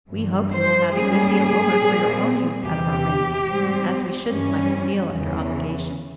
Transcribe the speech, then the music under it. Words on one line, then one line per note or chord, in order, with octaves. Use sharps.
We hope you will have a good deal over for your own use out of our rent, as we shouldn't like to feel under obligation.
G2 E3 G3
C5
G#2 G3 A#3 C#4 G#4
A#2 G3 C4
E2 C3 E3 G4
G#2 G3 C4
G2 E3 G3 C#4
E2 C#3 E3